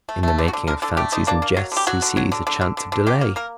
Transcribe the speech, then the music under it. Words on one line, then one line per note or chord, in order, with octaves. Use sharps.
In the making of fancies and jests he sees a chance of delay.
A3
A3 A4
D3
F#4
D3
D3 A#4
D3 A4
A3 G4
D3 D#4
A#3 D4
A#3
F#3
D3 G4
F#3 F#4
D3
F#3
D3
D3
D3
D3
D3
F#3 G4
A#3
A#3 A#4